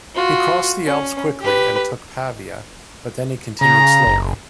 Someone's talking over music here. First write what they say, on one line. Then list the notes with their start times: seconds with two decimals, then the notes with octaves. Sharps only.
He crossed the Alps quickly and took Pavia, but then he continued slowly.
0.15 F4 F#4
0.85 C#4
1.41 G4 B4
3.61 C#3 A#5
4.07 F#1